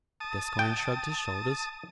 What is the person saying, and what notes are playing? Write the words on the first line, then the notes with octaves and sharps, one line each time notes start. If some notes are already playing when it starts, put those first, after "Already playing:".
Gascoyne shrugged his shoulders.
A5 D#6
G5